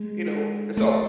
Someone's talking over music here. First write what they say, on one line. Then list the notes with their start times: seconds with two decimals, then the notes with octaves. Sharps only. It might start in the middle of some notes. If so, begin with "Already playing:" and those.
you know, and so,
Already playing: G#3
0.77 A3